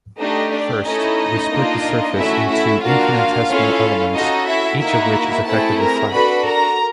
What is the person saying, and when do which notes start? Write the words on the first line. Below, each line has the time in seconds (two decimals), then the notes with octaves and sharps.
First, we split the surface into infinitesimal elements, each of which is effectively flat.
0.18 A3 D4 D#4 G4 D#5
0.51 D4 D5
0.84 A3 C#4 D#4 E4 A4 D#5
1.50 A#3 D4 F4
2.16 A3 C#4 E4 F#4 A4 E5
2.49 E4 E5
2.82 A#3 D4 F4 F#4 F5
3.48 C#4 E4 A4
4.14 C#4 D#4 F#4 A4 D#5
4.47 E4 E5
4.80 A#3 D#4 E4 F#4 E5
5.46 A3 C4 E4 G#4 A4 A5
5.79 A#4 A#5
6.12 D4 F#4 A4 B4 B5
6.45 A#4 A#5